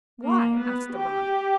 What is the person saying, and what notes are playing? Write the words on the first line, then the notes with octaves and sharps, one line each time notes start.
'Why?' asked the ranee.
A#3
B3
G4